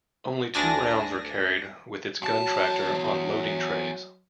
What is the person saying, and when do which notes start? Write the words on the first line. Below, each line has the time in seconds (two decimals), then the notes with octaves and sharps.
Only two rounds are carried with its gun tractor on "loading trays".
0.54 D2 D4 D5 G#5 A#6
2.22 E2 F#3 A5